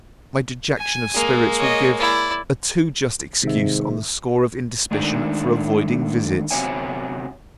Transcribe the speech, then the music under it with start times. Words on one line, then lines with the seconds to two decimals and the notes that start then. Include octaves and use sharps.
My dejection of spirits will give a too just excuse on the score of indisposition for avoiding visits.
0.78 G#5
1.14 G#3 A#3
1.58 C#5 D#5
1.98 E4 D5
3.43 G#2 C3 D#3 E5
4.91 D#3 G#3 A3 D4 D#4
6.51 C3 F#3 B3 C#5 E5 G#5